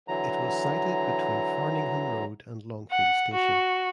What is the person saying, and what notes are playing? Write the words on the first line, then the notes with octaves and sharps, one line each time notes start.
It was sited between Farningham Road and Longfield station.
D3 E3 F#3 A#5
F#5
F#4